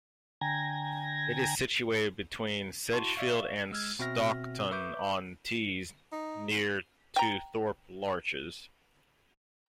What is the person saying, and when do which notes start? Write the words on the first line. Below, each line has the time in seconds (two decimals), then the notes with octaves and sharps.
It is situated between Sedgefield and Stockton-on-Tees, near to Thorpe Larches.
0.41 D3 G5 G#5 A#5 G#6 A#6
2.92 E4 F#4 A5 C6 C#6
3.16 D5 E5 F5 C#6
3.71 G#3 E6 F6 G#6
3.99 B2 C4 F#4 E5 F6 A#6
4.71 B4 E5 C#6 D6 G6
6.12 D#4
7.16 G5 A#5